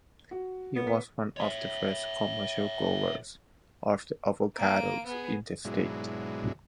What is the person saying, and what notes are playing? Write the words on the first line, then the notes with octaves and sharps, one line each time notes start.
He was one of the first commercial growers of avocados in the State.
F#4
B3
B6
C#5 E5
A#3 D7
B3 G#4
G#2 B2 F#3 G#3 D4 E4